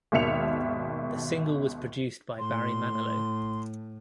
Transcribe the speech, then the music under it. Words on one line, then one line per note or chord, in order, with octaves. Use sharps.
The single was produced by Barry Manilow.
G#1 D#2 B2 E5 C#7 F7
A2 C6